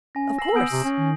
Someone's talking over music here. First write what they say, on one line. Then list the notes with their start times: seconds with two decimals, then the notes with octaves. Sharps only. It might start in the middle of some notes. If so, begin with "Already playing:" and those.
"Of course."
0.15 C#4 G#5 A#6
0.39 E6 A#6 C7 F#7
0.55 B3 D#6 G6 D7
0.72 C3
0.84 C#4
0.98 D#3